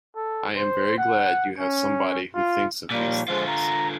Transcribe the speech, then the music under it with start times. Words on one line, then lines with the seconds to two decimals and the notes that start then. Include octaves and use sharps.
I am very glad you have somebody who thinks of these things.
0.16 A4
0.57 C5
0.98 F#5
1.58 C#4
2.35 F4
2.91 D#2 A#2 F3 G3 A#3
3.28 D3 F3 G#3 F4
3.48 A#5